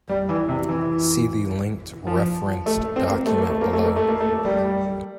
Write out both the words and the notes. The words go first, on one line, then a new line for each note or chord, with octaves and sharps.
See the linked referenced document below.
G3
E3
C3
E3
F3
A3
C4
A#3
A3
A#3
A3
A#3
A3
A#3
A3
A#3
A3
G3